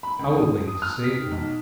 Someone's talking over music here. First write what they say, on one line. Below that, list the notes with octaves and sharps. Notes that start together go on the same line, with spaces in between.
Our way is safer.
B5
C#2
D#6
D#6
F6
B6
D#3
B1